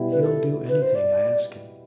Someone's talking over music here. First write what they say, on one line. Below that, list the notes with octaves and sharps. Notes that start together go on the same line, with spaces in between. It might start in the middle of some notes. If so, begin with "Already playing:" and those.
He'll do anything I ask him.'
Already playing: B2 G3 B3 E4
B4
A4
B4
C5
D5